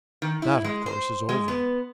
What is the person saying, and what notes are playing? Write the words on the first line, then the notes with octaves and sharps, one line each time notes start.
That, of course, is over.
D#3
E4
G#3
C5
G#3
B3